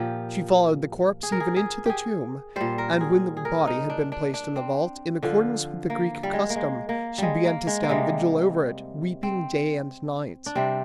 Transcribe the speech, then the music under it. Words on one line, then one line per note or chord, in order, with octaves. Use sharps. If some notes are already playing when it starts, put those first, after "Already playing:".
She followed the corpse, even into the tomb; and when the body had been placed in the vault, in accordance with the Greek custom, she began to stand vigil over it, weeping day and night!
Already playing: A#2 F3 G4
G#4
A#4
G#4
G#4
G4 G#4
A#2 G3 C5
A#4
G#4
G#4
A#4
D#4
D4
D4
D4
C4
D3 F3
A#3
G3
G#3
A#3
G#3
A#3
G3 G#3
A#3
G#3
A#3
C3 G3 G#3
C4
D4
C3 G3 C4